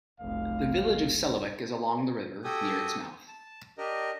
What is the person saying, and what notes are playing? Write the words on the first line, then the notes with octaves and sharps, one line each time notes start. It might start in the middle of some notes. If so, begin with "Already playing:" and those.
The village of Selawik is along the river near its mouth.
F1 B1 F5
F#4 G4 A4 G5 G#5 D#6
A5
D4 G4 A#4 D#5